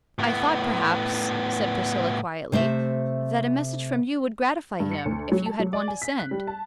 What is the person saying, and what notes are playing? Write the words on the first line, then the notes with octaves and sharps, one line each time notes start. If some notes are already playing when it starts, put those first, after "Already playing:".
"I thought, perhaps," said Priscilla, quietly, "that a message from you would gratify him, if you had one to send."
A2 B3
C3 A3 C5 E5
G2
C#7
D2
F#3
A5
F#3
D5
G#5
B6
F#6
G3
A5